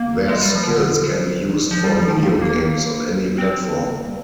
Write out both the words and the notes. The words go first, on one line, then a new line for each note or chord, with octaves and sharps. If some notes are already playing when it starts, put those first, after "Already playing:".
Their skills can be used for video games on any platform.
Already playing: A#3
G#3
G3
F3
D3
F3
D#3
G3
F3
G3
F3
D#3
A#3
A#3
C4
A#3
G3